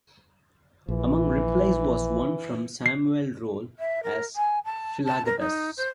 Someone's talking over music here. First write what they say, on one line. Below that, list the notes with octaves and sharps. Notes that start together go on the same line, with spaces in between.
Among replies was one from Samuel Rolle as Philagathus.
A#1 E3
C7
E5
A#4
G#5
A5
A5
A#4
D#4
C5